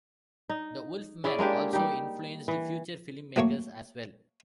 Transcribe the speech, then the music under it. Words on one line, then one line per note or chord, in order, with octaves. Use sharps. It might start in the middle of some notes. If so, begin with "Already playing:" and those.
"The Wolf Man" also influenced future filmmakers as well.
D#4
C#4 E4 G#4 D5
G#3 A#3 D4 G4
G3 D#4 G4
E3
F#3 A3 A#3 C#5 C#6